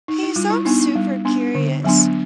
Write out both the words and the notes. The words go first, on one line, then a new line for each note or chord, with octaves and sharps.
Hey, so I'm super curious.
D#4
E4
G3 F4
E4
B3 D4 D#4
D#4
G3
B3 D4
D3
F#3 B3 D4